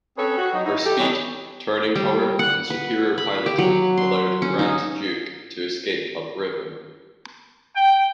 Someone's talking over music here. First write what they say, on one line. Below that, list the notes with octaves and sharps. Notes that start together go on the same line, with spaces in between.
Her speed, turning power, and superior piloting allowed "Grand Duke" to escape up river.
C4 C#4 G#4 A4 B4 C#5
F#4
F#3 D#4 C#5
D#4 E4
G4 A4
E3 G3 D4 D#4 G4 C#5
G3
F#5
B4
B5
G4
F#3
C6
C#4
D#4
G5